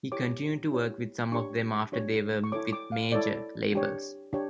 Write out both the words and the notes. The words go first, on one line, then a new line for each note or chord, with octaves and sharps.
He continued to work with some of them after they were with major labels.
E4 G4 C#5 D6
E4 G4 C#5
D4 G4 C#5 C#6
D4 G4 C#5
C#6
E4 A4 C#5 D6
D6
F5
E4 A4 C#5 D5
D4 G4 C#5
D4 G4 C#5